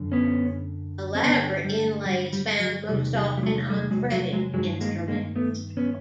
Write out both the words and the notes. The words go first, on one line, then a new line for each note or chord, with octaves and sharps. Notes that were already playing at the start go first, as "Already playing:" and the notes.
Elaborate inlay is found most often on fretted instruments.
Already playing: F#2 D3
B3 C#4
C4
G2 D3 B3 C#4
G3
G3
G3
F#3
E2 C3 D#3 G3
G3
G3
F#3 G#3
G3 A3
F#3 G#3
F#3
F#3 G#3
G2 D#3 F#3 G#3
G#3 A#3
G#3 A#3
A3 B3
B3 C#4